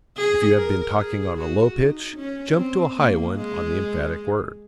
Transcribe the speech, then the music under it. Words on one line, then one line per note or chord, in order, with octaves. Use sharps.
If you have been talking on a low pitch, jump to a high one on the emphatic word.
G#4
A#4
G#4
F#4
D#4
C#4
C4
A#3
G#3